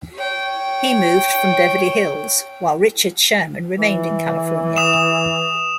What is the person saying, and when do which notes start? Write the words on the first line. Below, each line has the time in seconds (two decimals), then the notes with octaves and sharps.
He moved from Beverly Hills, while Richard Sherman remained in California.
0.15 C#5 G5
3.77 E3
4.76 D#6 E7